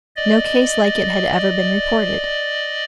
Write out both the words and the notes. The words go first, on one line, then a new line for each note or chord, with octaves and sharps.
No case like it had ever been reported.
D5 D#5